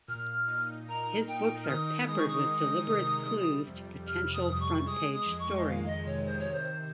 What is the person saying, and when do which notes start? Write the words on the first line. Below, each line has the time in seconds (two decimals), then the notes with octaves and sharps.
His books are peppered with deliberate clues to potential front-page stories.
0.08 A#2 F6
0.48 D#4
0.88 A#4 A#5
1.28 D#4 G5
1.63 F6
1.68 D#3 D#6
2.07 G#3 D#6
2.18 C#6
2.27 D#6
2.47 G#3
2.87 C3
3.27 G3
3.67 F2
4.07 G3 F6
4.34 D#6
4.47 F2
4.60 C#6
4.86 G#3 D#6
5.13 D#6
5.26 F2
5.39 C#6
5.56 D#5
5.66 D#3 F5
5.86 D#5
6.05 C3 C#5
6.26 C5
6.39 C#5
6.46 D#3
6.52 C5